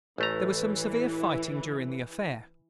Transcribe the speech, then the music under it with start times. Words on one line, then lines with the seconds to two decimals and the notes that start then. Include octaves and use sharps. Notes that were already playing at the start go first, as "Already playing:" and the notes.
There was some severe fighting during the affair.
0.18 A1 E3 A3 A#5